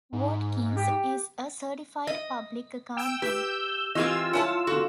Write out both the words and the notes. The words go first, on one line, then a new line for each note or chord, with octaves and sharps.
Watkins is a Certified Public Accountant.
G#2
G4
D#5
G5 E6
G4 B4 E6 G6
E3 C4 F4 G4 G#4 D#5 E6
E4 C#5 E5 F#5 G#5 A5
D3 F#4 A4